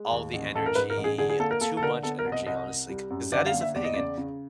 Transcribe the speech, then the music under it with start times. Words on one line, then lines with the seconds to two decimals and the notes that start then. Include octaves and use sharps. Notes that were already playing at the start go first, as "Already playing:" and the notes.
all the energy, too much energy, honestly, 'cause that is a thing, and
Already playing: G#3
0.11 D#2
0.33 A1
0.54 A1 A4
0.66 A#4
0.75 G#2 B4
0.90 A#4
0.97 A1
1.04 G#4
1.18 D3 G#4
1.29 G#4
1.40 A#3 A4
1.51 A#4
1.61 A#3 A4
1.77 A4
1.82 D3 A#4
2.03 B3 A4
2.19 A#4
2.25 C2
2.32 D#5
2.46 C2 D#5
2.68 C2
2.89 G3
3.10 F#2
3.32 D3 D5
3.46 F5
3.54 A#3
3.61 E5
3.75 E2 D5
3.84 D#5
3.94 C#3 D5
4.18 C#3